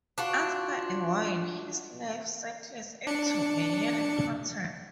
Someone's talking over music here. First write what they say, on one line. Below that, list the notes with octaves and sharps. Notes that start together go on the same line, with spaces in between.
After a while, his life settles into a yearly pattern.
D4 F4 F#4
D4 C#7